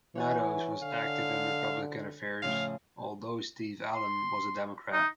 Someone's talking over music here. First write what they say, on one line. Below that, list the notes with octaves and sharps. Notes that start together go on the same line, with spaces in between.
Meadows was active in Republican affairs although Steve Allen was a Democrat.
E3 C#5 F#5 G#5
D3 F5
A2 C#3 F3 F5
C6
D#4